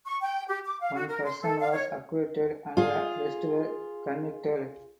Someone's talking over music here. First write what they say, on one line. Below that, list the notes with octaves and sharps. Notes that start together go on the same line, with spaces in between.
One person was acquitted and the rest were convicted.
C#6
G5
G4
D6
F5
F#4
A#4
C6
A4
F5
C#5
F4 G#4